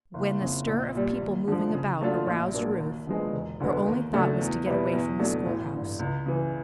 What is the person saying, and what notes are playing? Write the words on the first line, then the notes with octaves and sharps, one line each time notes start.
When the stir of people moving about aroused Ruth, her only thought was to get away from the schoolhouse.
F#1
F2 C#3
A#1
A#2 G3
D#2
D3 F3
C#3
F#3 A3 D4 F4
A#1
A#2 F#3 A#3 D4
D#2
D3 F3 G#3 B3
E1
D2 D3 F#3 B3
D#2
C#3 F#3 A3 D4
E2
B2 G3 B3 E4
E2
B2 F#3 A3 D4
A1
G2 D3
C#2
C#3 E3